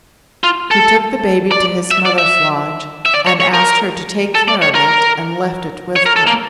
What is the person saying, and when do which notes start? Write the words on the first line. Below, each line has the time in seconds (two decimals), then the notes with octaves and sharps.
He took the baby to his mother's lodge and asked her to take care of it and left it with her.
0.44 F4
0.71 A4
1.51 D5
1.91 E5
2.05 D5
2.18 E5
3.06 E5
3.14 D5
3.27 C#5
3.40 C#5
3.54 A#4
4.35 A4
4.48 D5
4.62 C#5
4.75 A#4
5.96 C#5
6.06 A#4
6.16 A4
6.27 A#3